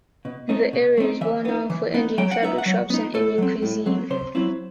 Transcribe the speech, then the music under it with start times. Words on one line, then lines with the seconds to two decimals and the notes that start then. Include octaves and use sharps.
The area is well known for Indian fabric shops and Indian cuisine.
0.25 B2
0.49 A3 C4 D#4
0.73 B2
0.97 A3 C4 D#4
1.21 E3 E5
1.45 B3 D#4
1.70 E3
1.94 B3 D#4
2.18 F#3 G5
2.31 F#5
2.43 B3 D#4 E5
2.58 F#5
2.66 F#3
2.90 B3 D#4
3.14 A2 A4
3.38 F#3 C4
3.62 A2
3.86 F#3 C4
4.10 C3 C5
4.35 F#3 C4 E4